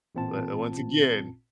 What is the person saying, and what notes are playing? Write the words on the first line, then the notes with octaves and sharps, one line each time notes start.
But a once again
A1 A#2 C4 F4 A5